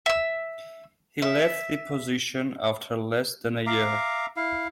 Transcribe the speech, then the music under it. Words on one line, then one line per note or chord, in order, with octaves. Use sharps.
He left the position after less than a year.
E5 E6
E5
E5 F5 A#5 D6
E4 F5